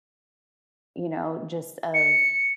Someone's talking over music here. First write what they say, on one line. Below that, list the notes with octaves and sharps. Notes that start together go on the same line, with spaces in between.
you know, gist of
C#7